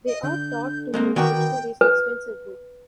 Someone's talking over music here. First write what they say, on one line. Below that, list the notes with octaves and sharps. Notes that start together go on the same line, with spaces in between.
They are taught to use dictionaries extensively.
D#5
D3 G6
G#3 A#3 C4
D#3 B3 F#4 A#4 D5 G5 G#5
B4